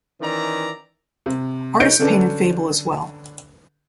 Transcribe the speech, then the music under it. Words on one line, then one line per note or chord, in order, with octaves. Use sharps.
Artists paint in fable as well.
D#3 E3 C#4 D5 E5 A#5
C3
D#4 C#5 G6 C#7 D7
D3 C#4 D4 A4 B4